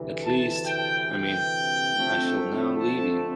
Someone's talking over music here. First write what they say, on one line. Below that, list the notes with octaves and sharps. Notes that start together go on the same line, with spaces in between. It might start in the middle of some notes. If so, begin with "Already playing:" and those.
At least, I mean, I shall now leave you.
Already playing: D2 C3 E3
A5
G5
G5
F2 D3 A3 C4
A5